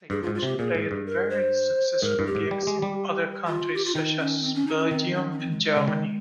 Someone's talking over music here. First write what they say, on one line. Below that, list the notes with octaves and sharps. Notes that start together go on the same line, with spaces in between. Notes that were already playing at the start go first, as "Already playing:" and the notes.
They also played very successful gigs in other countries such as Belgium and Germany.
G2 G#4
F4
G#2
F4
C3 G4
A#2 G#4
G#2
G2
A#4
C5
G#2 A#4
G2
G4
G#2
G3
G#3
G3
F4
G4
F4
D#3 D#4
C#4
C4
C#4
D#4
C#4
D#3 C4
C#4
C#4
C4
G#3
G#3
C#3 G#3
D#3